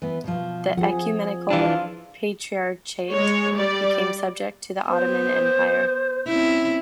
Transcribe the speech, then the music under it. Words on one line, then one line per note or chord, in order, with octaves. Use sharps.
The Ecumenical Patriarchate became subject to the Ottoman Empire.
E3 B3
B2 F3
F3 G#4 F#5
E3 D4 F4
G#3 C#5
G3 D5
B3 C5
C4 C#4 E4